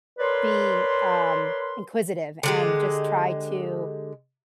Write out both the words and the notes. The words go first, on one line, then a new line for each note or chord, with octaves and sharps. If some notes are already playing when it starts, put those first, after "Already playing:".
be, um, inquisitive and just try to
A#4 B4 C#5 D5 C6
D3 G#3 G4